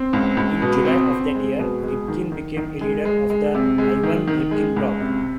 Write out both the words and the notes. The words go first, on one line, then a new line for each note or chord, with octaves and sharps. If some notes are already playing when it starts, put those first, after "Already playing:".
In July of that year, Rybkin became a leader of the Ivan Rybkin Bloc.
Already playing: C4
C#2
C#2
B2
C4
C4
G#3
B2
G#3
D#3
D#3
D#3
G#3
G#3
G#3
C3
G#3
D#3
D#3
G#3
C#2
C3